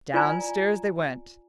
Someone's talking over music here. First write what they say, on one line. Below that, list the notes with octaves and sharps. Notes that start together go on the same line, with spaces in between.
Downstairs they went.
F4 D5 G#5 A#5